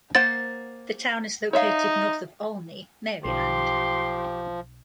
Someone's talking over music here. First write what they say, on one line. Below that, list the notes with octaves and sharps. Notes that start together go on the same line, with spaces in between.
The town is located north of Olney, Maryland.
A#3 C5 F#5 A6
D#4 C#5 E5 F5
B1 F3 G4 C6